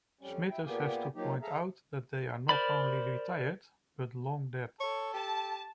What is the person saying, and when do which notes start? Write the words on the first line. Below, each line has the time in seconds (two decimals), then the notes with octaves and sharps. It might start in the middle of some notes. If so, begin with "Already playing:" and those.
Smithers has to point out that they are not only retired, but long-dead.
0.21 F2 G3 C#4
0.49 E4 G5
0.65 A#2 A#3 B3 G4 G#4
1.15 F3 F#3 A#3 D#4 G4
1.42 G#4 A4 E5 F5 A#5
2.49 A#4 C5 D5 B5
4.80 A4 C#5
5.14 G4 A5